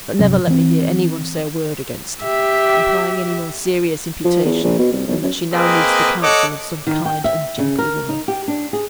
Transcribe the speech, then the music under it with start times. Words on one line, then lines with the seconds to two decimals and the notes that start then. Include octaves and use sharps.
But never let me hear any one say a word against her, implying any more serious imputation than that she now needs the counsel of some kind and gentle woman.
0.19 G1 C3 F#3 C#4
0.47 E3 C4
2.23 G4 E5
4.25 F3
4.45 E2
4.64 A#1
4.79 B2
4.93 C2
5.08 B1
5.22 F#2
5.54 A#3 C4 G#4 B4 D#5
6.22 A4 C#5 D#5 F#5 D6
6.87 D#3
7.05 G5
7.24 E5
7.58 C#3
7.78 A#4
8.09 D#4
8.28 G4
8.48 D4
8.73 G#4